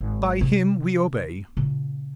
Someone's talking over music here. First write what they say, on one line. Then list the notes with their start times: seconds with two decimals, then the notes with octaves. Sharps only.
"By him we obey."
0.01 G#1
0.41 C3 D4
1.57 A#2 C#3